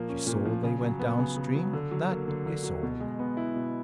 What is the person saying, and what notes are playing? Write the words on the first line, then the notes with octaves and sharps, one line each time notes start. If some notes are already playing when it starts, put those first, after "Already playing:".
She saw they went down stream--that is all.
Already playing: A#2 F3 A#3
C#4
A#2
F3
C#3
F#3
B3
C#3
C#3
F#3
D3
F#3
A#3
D3
D3
F#3
B2
G#3
B3
E4
B2